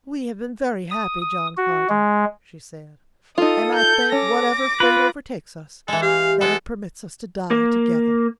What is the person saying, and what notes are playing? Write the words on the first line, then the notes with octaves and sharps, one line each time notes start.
"We have been very happy, John Carter," she said, "and I thank whatever fate overtakes us that it permits us to die together."
D#6
D#6
F#4
G#3
D#4 F4 A4 D#6
G6
C#4 D6 A#6
F4 B4
E3 G#3 A4
G4 F5
G#3 B3 A4
A#3